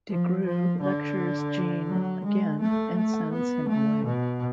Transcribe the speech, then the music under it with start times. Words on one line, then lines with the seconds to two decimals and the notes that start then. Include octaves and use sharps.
Des Grieux lectures Jean again and sends him away.
0.09 F3
0.45 F3
0.81 D3
1.88 F#3
2.24 G#3
2.60 A3
2.96 A3
3.32 B3
3.69 A3
4.05 B2